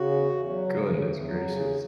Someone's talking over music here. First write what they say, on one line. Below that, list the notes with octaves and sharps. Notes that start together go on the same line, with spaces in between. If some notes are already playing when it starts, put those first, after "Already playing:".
Goodness gracious.
Already playing: C#3 F#4
E2
E2
F#3
C#3
E2
E2
F#3
C#3
E2